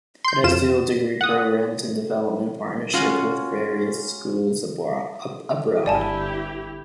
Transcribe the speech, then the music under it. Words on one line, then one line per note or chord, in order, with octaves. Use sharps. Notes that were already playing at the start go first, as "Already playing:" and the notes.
It has dual degree programs and development partnerships with various schools abroad.
C6 G6
F2 F4 E7
F#5 D#6
G#3 C#4 F4 F#4
G1 E4 G4 D5 G#5 A5